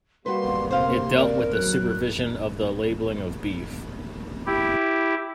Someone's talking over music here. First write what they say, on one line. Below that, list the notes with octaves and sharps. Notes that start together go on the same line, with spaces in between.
It dealt with the supervision of the labeling of beef.
G3 A#3 F#4 B4 C6
C3 A#3 C5 F5 C6
A#4 D5
F#3 F#6
E4 G4